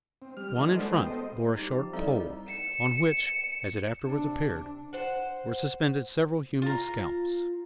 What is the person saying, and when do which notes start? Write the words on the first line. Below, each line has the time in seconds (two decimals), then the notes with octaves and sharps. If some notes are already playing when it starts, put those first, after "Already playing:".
One in front bore a short pole, on which, as it afterwards appeared, were suspended several human scalps.
0.22 C4
0.37 G3 F6
0.56 E3 A#3 D4 G#4 D#5
0.73 G#3 F#4 A4 B4 C5 D5
0.91 G#3 A#3 C4 D#5 G5
1.06 B3 A4 C5 D#5
1.56 G3 D#4 G4
1.75 F3
1.93 G3 C4 D#4 E4 A4 D5
2.48 C#7 E7
4.04 C3 D4
4.93 C5 F#5
6.62 F4 A#5